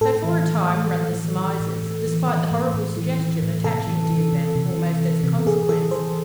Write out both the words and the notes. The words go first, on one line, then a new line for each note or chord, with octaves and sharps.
So for a time run the surmises, despite the horrible suggestion attaching to them, almost as a consequence.
A2 A4
E3
E3
A2
A2
E3
E3
A2
A2
E3
E3
A2
A2
E3
E3
A2
C3 A4
E3
E3
C3
C3
E3
E3
C3
C3 G#4
E3 A4
E3 C5